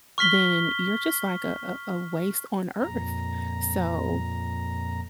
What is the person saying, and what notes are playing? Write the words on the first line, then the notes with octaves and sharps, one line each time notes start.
then you're just like a a a waste on earth. So
C#6 F6 B6 G7
F2 A#2 A#5